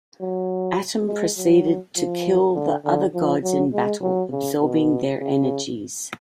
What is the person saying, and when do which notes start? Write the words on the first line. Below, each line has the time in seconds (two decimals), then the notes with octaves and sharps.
Atum proceeded to kill the other Gods in battle, absorbing their energies.
0.20 F#3
1.07 G#3
1.37 F#3
1.96 F3
2.55 D3
2.85 D3
3.14 F3
3.43 F#3
3.73 G#3
4.02 F#3
4.32 C#3
4.62 B2
5.19 C#3